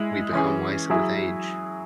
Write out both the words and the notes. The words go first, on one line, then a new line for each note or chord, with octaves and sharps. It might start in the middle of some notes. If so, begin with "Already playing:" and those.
We become wiser with age.
Already playing: G#3 E4 G#4
E3 C#4 G#4
F#3 E4 G#4